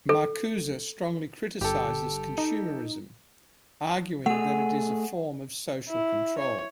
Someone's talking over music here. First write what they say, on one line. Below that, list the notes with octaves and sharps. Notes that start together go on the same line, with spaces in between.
Marcuse strongly criticizes consumerism, arguing that it is a form of social control.
A4
G1 G4 A4
D#4
A3 G#4 F#5
E4
C#5